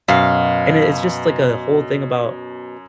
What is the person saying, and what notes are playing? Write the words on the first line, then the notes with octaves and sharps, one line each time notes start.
and it's just, like, a whole thing about
F#2 B2 F5